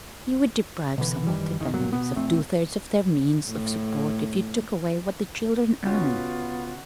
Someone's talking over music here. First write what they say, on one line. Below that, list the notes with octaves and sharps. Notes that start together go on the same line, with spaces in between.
You would deprive some of the families of two-thirds of their means of support if you took away what the children earn.
B2 D3 E3
F#2 D#3 E3 G3
G#1 E2 D#3
D2 G2 A#2 F#3
B2 B3
E1 A#1 A3 C4
A2
C#3 B3 C#4 F4 F#4